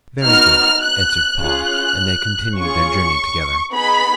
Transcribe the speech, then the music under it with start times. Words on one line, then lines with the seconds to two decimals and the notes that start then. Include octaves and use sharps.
'Very good,' answered Paul, and they continued their journey together.
0.24 B3 D#4 F#4 F6
0.82 F#6
1.40 C#4 F4 G#4 F#6
2.56 C#4 F4 G#4 C#6
3.73 B3 D#4 G#4 B5